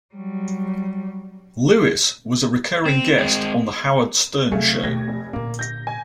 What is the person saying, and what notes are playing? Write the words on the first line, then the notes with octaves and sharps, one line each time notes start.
Lewis was a recurring guest on "The Howard Stern Show".
F#3 G3
C4
G#3 C4
C3 F#3 A3 G#4 F5
D#2 B2 A3 G#6 A#6
F1
A#2 D3 A#3
G6 A#6
G#5